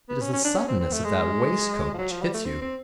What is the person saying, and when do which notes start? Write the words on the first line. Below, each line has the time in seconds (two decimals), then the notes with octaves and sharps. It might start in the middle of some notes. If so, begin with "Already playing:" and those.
It is the suddenness of that waistcoat which hits you.
0.09 B3
0.21 C#4
0.33 C#4
0.45 D4
0.57 C#4
0.68 C4
0.80 C4
0.92 A3
1.04 G#3
1.94 F3
1.98 F#3
2.11 F3
2.22 G3
2.34 A3
2.45 C4
2.61 C4